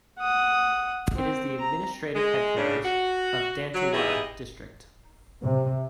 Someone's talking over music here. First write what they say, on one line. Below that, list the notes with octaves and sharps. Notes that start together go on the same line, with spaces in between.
It is the administrative headquarters of Dantewada District.
F#5 D#6
C4
A#5
G#3
G2 C#3 D4
F#4
F#3
E3 B3 D#4 E4 G4 G#4
C3